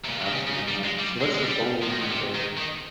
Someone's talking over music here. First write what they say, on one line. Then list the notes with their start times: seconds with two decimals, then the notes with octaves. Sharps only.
Absolutely not. So, what's the foliage and the
0.04 C3
0.09 A#2
0.26 D#3
0.32 C#3
0.47 C#3
0.54 D#3
0.69 G3
0.84 G#3
1.00 G3
1.21 G#3
1.35 G#3
1.44 G3
1.83 F3
1.89 D#3
2.02 A#2
2.11 C3
2.35 D#3
2.57 D#3